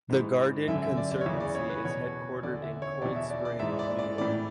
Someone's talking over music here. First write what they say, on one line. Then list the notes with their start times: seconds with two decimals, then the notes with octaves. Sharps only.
The Garden Conservancy is headquartered in Cold Spring, New York.
0.10 G#2 E3
0.67 F#2 D3 E5
0.82 E5
0.97 D5
1.11 D5
1.21 C#5
1.26 E2 C#3 E3 D5
1.40 D5
1.55 C#5
1.70 B4
1.84 E2 B2 C#5
2.43 E2 D3 D5
2.62 E5
2.82 C#5
3.01 E2 B2 D5
3.16 E5
3.31 D5
3.45 D5
3.59 G#2 E3 E5
3.79 D5
3.99 D5
4.18 A2 E3 D5